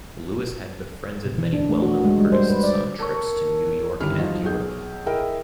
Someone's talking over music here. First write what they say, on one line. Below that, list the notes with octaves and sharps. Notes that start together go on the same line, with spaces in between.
Lewis had befriended many well-known artists on trips to New York and Europe.
B2
E3
D4
A3
F#4
G#3
G3
C5
B4
D5
A4 A#4 C#5
G1 D#2 G3 E4 F6
F3 F#3 D#4 F4 F#4
B1 G#4 G6
E4 G#4 A#4 D#5 E5 G5